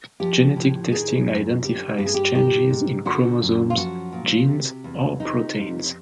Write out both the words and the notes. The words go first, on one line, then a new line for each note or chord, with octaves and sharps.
Genetic testing identifies changes in chromosomes, genes, or proteins.
F3 G4
A2
D#3 G#4
F#2
D3 G4
G2 G4
G#4
G4
D#3 G4
G#2
D3 F#4
F#2
F4
F3 F#4
A#2
C3
E2
C3 D#4
F2